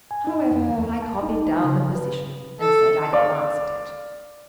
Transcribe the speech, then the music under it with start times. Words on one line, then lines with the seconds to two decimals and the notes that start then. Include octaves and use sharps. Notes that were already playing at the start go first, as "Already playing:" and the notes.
However, I copied down the position and said I'd glance at it....
0.11 G#5
0.27 D#4
0.51 F2
0.70 D#2
1.02 A5
1.23 D#4
1.64 C#3
1.95 B4
2.60 A4
3.13 D5 F5 D6